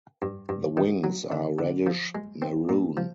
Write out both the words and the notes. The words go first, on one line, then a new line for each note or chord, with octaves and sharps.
The wings are reddish maroon.
G2
G2
D#3
F#3
D3
D3
F3
G#3
C4
A#2
F3